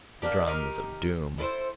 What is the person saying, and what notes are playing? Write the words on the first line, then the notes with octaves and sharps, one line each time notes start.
The drums of Doom!
A#3 B3 D4 G4
D#3 D#4 G4 A#4
E4 A4 B4 C5